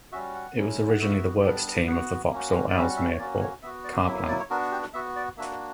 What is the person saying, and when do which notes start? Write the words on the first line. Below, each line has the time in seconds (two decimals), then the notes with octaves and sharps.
It was originally the works team of the Vauxhall Ellesmere Port Car Plant.
0.12 G3 C#4 F#4 E5
0.34 F#5
0.56 F#3 C#4 E4
0.88 F#5
0.99 B3 F#4 E5
1.43 G3 B3 D4
1.87 B3 F#4 F#5
2.30 A#3 C#4 F#4
2.69 D5
2.75 G3 C#4 F#4 E5
2.90 F#5
2.96 E5
3.12 C#5
3.18 A#3 C#4 F#4 D5
3.40 C#5
3.62 B3 F#4 E5
3.84 D5
4.06 F#3 A#3 E4 E5
4.17 E5
4.28 D5
4.39 C#5
4.50 B3 D4 F#4 A#4
4.72 G4
4.93 B3 F#4 E5
5.16 D5
5.37 A#3 D4 F#4 E5